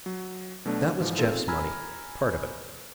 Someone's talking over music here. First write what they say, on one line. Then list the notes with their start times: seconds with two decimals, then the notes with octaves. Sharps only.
That was Jeff's money--part of it.
0.06 F#3
0.66 B2 F#3 A3 D4
1.00 G#2 E3 F3
1.18 C4 D#4 F4 G#4 A4
1.48 G#5 A#5 B5 E6 F6 G#6